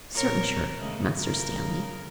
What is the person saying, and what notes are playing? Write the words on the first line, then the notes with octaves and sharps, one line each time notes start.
'Certain sure, Master Stanley.'
A#2 A#4 C#5
C#3 G#3 A3
C#3 A#4